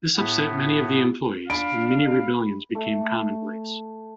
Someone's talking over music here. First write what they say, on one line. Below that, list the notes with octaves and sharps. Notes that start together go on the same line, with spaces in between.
This upset many of the employees, and mini-rebellions became commonplace.
A2 B3
D4 F5 B5 D7
A3